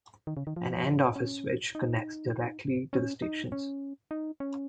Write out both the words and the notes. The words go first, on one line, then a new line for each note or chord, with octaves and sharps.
An end office switch connects directly to the stations.
D#3
C#3
D#3
F3
C#4
D#4
C#4
D#4
C#4
D#4
C#4